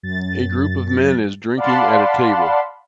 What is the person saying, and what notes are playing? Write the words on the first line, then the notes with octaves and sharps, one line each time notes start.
A group of men is drinking at a table.
F#2 A6
D5 F5 F#5 A5 B5 C6